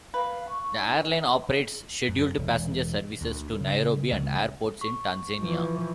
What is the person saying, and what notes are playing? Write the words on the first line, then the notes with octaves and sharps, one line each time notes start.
The airline operates scheduled passenger services to Nairobi and airports in Tanzania.
A#3 B4 F5
C#6
D#4
F#2
E1
D2
C#3
C#2
C#6
E3 F3